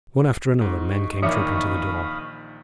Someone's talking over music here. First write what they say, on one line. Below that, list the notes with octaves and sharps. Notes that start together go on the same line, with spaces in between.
One after another, men came trooping to the door.
G#2 D#4 C#6
A#1 D#3 E3 E5 F5 B5 D6 D#6